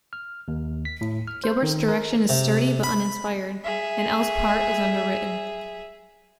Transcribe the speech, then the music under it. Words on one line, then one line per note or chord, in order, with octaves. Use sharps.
Gilbert's direction is sturdy but uninspired, and Ehle's part is underwritten.
F6
D#2
B6
A2
F6
C5
D#3
A#4
C3
B5
G#4 E5